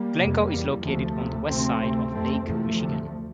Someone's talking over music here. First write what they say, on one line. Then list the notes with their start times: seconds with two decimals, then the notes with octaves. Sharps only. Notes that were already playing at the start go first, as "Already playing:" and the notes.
Glencoe is located on the west side of Lake Michigan.
Already playing: G3 A#3
0.19 F2 C3
0.52 E2 C3
0.83 D2 C3 F3 A3
1.16 D2 C3
1.48 D2 C3 A3 C4
1.80 D2 C3
2.12 F2 C3 A3 C4
2.45 E2 C3 F3 A3
2.77 D2 C3